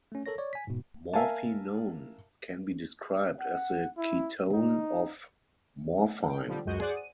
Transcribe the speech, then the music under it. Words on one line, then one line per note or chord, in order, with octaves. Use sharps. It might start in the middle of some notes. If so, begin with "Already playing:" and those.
Morphinone can be described as the ketone of morphine.
A3 C#4
A4 A#4 C#5 A#6
C#5 D5
G#5 B6
G#2 B2
A#4 E5 F5 G#5 A5
F#5
E4
D#4
G5
D3 F3 G3
C#2 F#2 G#3 F#4 G6 D#7
G#4 C5 D5 F#5
D#7